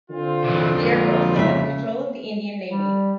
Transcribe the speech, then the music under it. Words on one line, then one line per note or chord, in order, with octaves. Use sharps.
The airport is under the control of the Indian Navy.
D3 C4 F4
C3 E3
F2 A#2
C#3 E5
G3